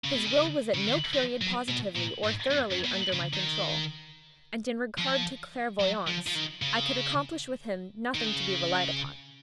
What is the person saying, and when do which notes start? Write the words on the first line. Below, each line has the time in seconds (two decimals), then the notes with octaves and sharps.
His will was at no period positively, or thoroughly, under my control, and in regard to clairvoyance, I could accomplish with him nothing to be relied upon.
0.04 C#3
0.14 B2
0.25 C#3
0.74 C#3
0.86 D#3
1.14 F3
1.42 F#3
1.69 B2
1.95 A#2
2.24 G#2
2.51 F2
2.71 F#2
2.85 B2
2.92 A#2
3.13 C#3
3.33 D#3
4.98 F3
5.80 F#3
6.07 F3
6.27 F3
6.35 D#3
6.62 C#3
8.15 D#3
8.27 C#3